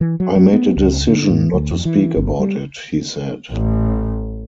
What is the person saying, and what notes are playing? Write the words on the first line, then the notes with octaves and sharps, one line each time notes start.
"I made a decision not to speak about it," he said.
E3
F#3
F#3
B3
C#2
D3
G#2
D2
F2
E3
G1
G3
A1